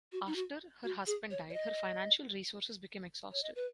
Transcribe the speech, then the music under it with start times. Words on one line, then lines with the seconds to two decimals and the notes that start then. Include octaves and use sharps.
After her husband died her financial resources became exhausted.
0.12 F#4
0.26 D#4
0.36 F#4
0.84 F#4
1.07 G#4
1.31 C#5
1.50 C#5
1.54 D#5
3.32 C#5
3.43 D#5
3.56 B4